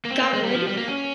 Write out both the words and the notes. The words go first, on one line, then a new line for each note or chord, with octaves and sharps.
Got wood?
A#3
C4
A#3
G#3
G3
F3
G3
A#3
C#4